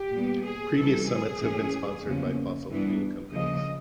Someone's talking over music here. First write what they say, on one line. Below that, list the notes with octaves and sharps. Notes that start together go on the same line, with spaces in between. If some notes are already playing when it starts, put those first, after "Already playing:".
Previous summits have been sponsored by fossil fuel companies.
Already playing: G4
A#2 G3 B3
G#4
C3 E3 G3 A4
G#4
G#2 E3 A3 C#4
E2 C#3 F3 A#3 C#4
G2 E3 G3 B3 D4
C#3 F3 A#3 D#5